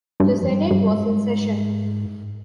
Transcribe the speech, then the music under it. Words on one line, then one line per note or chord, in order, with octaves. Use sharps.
The Senate was in session.
G2
G#2
F2
G2
G2
G#2